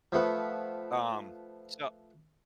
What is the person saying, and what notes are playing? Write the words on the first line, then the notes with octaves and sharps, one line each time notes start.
Um, so
F3 A3 B3